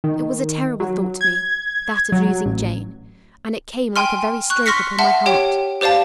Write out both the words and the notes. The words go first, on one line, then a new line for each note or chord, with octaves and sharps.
It was a terrible thought to me, that of losing Jane, and it came like a very stroke upon my heart.
D#3
F#3
G#6
F#3
A1
G5 G#5 C6 F6
C#6 F#6
C6 C#6 F6 A#6 B6 C#7
E5 F#5 A5 C6
G4 C#5 G5
G4 C5 D5 F5 A5